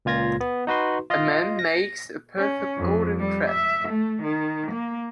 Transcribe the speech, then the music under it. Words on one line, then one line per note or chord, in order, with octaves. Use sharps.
A man makes a perfect, golden crepe.
C#2 A#2 F4 G#6 A#6
B3
D#4 F#4 B4 C6
F4 D#5 F5
A#6
C#4
F2
G3
E5
A3
D#3
A#3